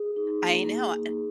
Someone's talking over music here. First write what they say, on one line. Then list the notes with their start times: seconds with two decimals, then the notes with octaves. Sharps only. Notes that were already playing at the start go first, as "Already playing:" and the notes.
I know an
Already playing: G#4
0.16 D#4
0.42 A#3
0.69 A#3
0.95 D#4